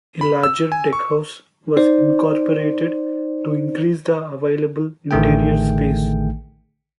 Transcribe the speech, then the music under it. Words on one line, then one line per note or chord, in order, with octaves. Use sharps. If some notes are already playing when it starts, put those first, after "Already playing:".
A larger deckhouse was incorporated to increase the available interior space.
B5
E6
G#5
C#6
D#4 C5 D5
A1 D3 D#3 A3 G#4 G5